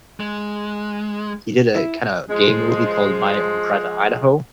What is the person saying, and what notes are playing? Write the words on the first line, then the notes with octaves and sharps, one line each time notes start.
he did a kinda gay movie called My Own Private Idaho
G#3
E4
F3 G#3